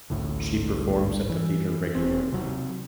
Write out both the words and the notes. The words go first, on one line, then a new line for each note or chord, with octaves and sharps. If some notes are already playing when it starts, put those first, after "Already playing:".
She performs at the theater regularly.
A1 D2 A2 D3
E3
E1 C4
C3 F#3